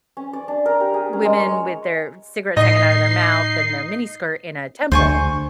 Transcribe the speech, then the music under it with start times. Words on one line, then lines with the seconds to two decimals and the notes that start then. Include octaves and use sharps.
Women with their cigarettes hanging out of their mouth and their miniskirt in a temple
0.17 C#4
0.33 D5
0.48 D4
0.66 A#4
0.80 G4
0.94 G#4
1.13 C#4
1.25 G#3
1.40 C#5
2.57 A2 D#4 D#5 C7
4.92 D2 C5 G#5 C#6